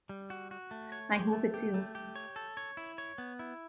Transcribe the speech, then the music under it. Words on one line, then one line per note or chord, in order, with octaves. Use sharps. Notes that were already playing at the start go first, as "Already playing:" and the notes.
I hope it's you.
G3
F#4
F#4
A3
C#5
G4
A3
G4
A3
G4
C#5
A4
C#5
E4
C#5
B3
E4